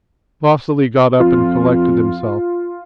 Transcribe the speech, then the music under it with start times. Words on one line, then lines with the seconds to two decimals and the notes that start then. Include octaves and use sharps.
Vasily got up and collected himself.
1.20 F2 F4